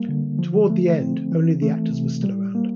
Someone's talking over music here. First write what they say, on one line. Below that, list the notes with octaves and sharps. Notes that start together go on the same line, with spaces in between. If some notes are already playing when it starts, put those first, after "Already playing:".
Toward the end, only the actors were still around.
Already playing: G3 A#3
D3
F3
A3
C4
E3
A3
C3
G3
A#3